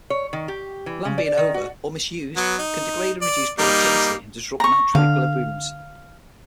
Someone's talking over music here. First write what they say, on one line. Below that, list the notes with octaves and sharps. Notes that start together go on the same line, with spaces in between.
Land being over- or misused can degrade and reduce productivity and dissrupt natural equilibriums.
C#5
D#3
G4
E3
C#3
D5
D#3
F#4
F#3 B3
D#4
D5
G3 A#3 D#4
A#5 C#6
D3 D4 F5